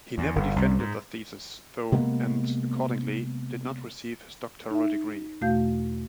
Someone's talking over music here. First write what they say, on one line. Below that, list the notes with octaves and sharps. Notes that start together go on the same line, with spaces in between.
He never defended the thesis, though, and accordingly, did not receive his doctoral degree.
E2
G1
C2
G#2
C3 G#3 A#3 B3
D#4 E5
E2 B2 A3 F#4 F5 G6